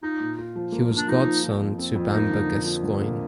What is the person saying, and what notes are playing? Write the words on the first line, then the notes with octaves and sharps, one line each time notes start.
He was godson to Bamber Gascoyne.
D#4 F4
A#2
F4
F3
A#3
A#3
D4
F3 D#4
F3
F3
F2
C4
F2
A#3 D#4
D3
F3
F3
D3
A#3